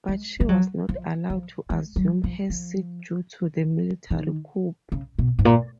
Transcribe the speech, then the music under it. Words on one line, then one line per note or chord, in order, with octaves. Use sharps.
But she was not allowed to assume her seat due to the military coup.
G#3
G#3
F#3
F3
F3
G#3
F#3
F3
F3
D#3
C#3
B2
G#2
A#2